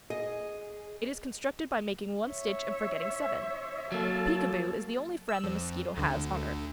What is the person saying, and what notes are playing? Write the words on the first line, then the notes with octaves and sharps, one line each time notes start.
It is constructed by making one stitch and forgetting seven. The Peekaboo is the only friend the mosquito has on earth.
G#4 D#5
C#5 E5
F#3 A#3 A4 A5
E6
F2
D2 D3